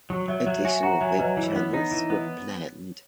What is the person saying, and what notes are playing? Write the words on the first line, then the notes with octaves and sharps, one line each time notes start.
Additional web channels were planned.
F#3
F#3 C#5 E5
F#3 C#5 E5
F#4 E5 G#5
F#4 F#5 A#5
F#3 E5 G#5
F#3 B4 D#5
E3 C#5
B3
D#4
E3
B3